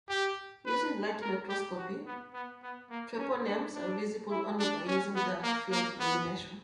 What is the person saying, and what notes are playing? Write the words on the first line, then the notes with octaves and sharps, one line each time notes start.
Using light microscopy, treponemes are visible only by using dark field illumination.
G4
B4
A#4
G4
F#4
B3
B3
B3
A#3
C#4
D4
D4
E4
D4
C#4
B3
A#3
A#3
B3